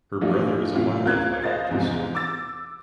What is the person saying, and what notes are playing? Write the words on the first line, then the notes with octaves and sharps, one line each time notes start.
Her brother is a wildlife biologist.
E3 F3 G3 A3 D4 D#4
A2 C3 E3 F4
C#2 C#3 F4 A#4 F#6 G#6
C5 D#5 F5 A6
E2 G#2 C3 F3
D6 E6 A6